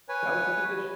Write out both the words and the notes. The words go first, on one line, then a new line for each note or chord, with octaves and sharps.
That was the condition.
B4 C#5 G#5